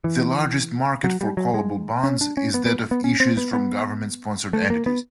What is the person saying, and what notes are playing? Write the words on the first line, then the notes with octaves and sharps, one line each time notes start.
The largest market for callable bonds is that of issues from government sponsored entities.
E3
F#3
G3
F#3
G#3
C#4
D4
C#4
B3
B3
B3
C#4
C4
B3
B3
A3
A#3
B3